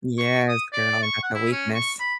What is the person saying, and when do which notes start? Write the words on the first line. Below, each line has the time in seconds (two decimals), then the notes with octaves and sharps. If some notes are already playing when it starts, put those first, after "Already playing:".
Yes, girl, that's a weakness.
0.18 C#6
0.49 D#6
0.73 D5
1.03 C#6
1.23 F#5
1.34 E4
1.51 C#4
1.74 C#6
2.00 B5